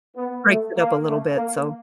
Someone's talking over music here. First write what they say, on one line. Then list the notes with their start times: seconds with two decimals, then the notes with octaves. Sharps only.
breaks it up a little bit, so
0.16 B3
0.46 A3
0.76 A#3
1.07 A3
1.36 A#3